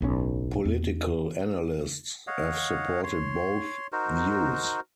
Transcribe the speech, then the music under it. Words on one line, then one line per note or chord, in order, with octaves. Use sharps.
Political analysts have supported both views.
D1 B1 A#2 C#4
E2
C#5 D#5 F5 F#5
C#5 C6
D#4 F#4 A#4 C5